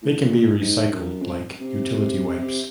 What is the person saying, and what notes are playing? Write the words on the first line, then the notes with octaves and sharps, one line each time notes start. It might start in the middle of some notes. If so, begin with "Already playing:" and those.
They can be recycled like utility wipes.
A2
A#2
G#2
F#2
F2
C3
C3